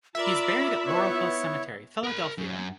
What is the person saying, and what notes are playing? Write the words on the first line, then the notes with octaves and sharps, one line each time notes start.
He is buried at Laurel Hill Cemetery, Philadelphia.
F4 A#4 D5 E5 B5
B3 E4 C#5
A#4 B5
F#2